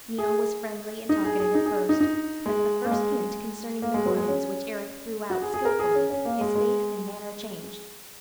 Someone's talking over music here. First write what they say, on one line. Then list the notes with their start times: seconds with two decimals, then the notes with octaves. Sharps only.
Neil was friendly and talkative at first; but at the first hint concerning the Gordons which Eric threw out skilfully his face and manner changed.
0.18 G#4
1.09 D#4
1.24 G#4
1.40 G#4
1.55 D#4
1.66 G#4
1.89 D#4
2.01 D#4
2.46 G#3
2.85 A#3
2.91 G#3
3.82 A#3
3.94 G#3
4.05 F#3
4.17 G#3
4.28 C#4
5.30 F#4
5.42 G#4
5.54 G#4
5.65 A#4
5.79 G#4
5.95 C#4
6.10 C#4
6.25 A#3
6.41 G#3
6.55 G#3